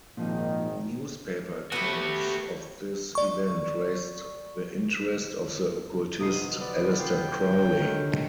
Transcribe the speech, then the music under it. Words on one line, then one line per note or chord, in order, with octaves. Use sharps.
Newspaper accounts of this event raised the interest of the occultist Aleister Crowley.
G#1 A#2 D#3 F3 D#4
A3 B3 F#4 G4
D5 C#6
F1 B1 D#6 C7
B3 D5
F4 G5
F#3
D#2 D3 F6 F#6